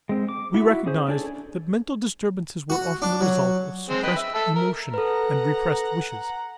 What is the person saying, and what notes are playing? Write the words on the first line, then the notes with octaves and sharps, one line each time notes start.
We recognized that mental disturbances were often the result of suppressed emotion and repressed wishes.
G#3 C4
D6
E4 F#4 E5
C#4 G#4 C5
D4 G#4 A4 C#5
F#4
D4
F#3
G#3 C4
B4 D#5 G5
E5
A4 E5
A#4
A4 B4 F#5 A#5